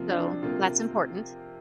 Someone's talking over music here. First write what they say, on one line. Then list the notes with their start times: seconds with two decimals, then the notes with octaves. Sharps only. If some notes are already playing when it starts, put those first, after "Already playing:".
So, that's important.
Already playing: C3 F3 A#3 F4
0.08 D4
0.43 C3 A#3 F4